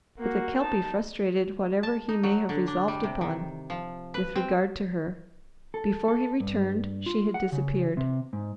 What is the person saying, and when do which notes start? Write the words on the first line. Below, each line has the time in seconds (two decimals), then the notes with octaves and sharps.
But the Kelpie frustrated whatever he may have resolved upon with regard to her: before he returned she had disappeared.
0.19 A#3 F#4
0.60 D#4 A5
1.83 A5
2.09 D#4
2.23 F#3
2.49 D3
2.67 D4
2.88 G3
3.04 C3
3.21 D#3
3.70 F3
4.14 B4
4.36 C4
5.74 A4
6.08 A4
6.40 G2
7.06 F4
7.34 F#5
7.52 C#3
7.97 C3
8.33 G#2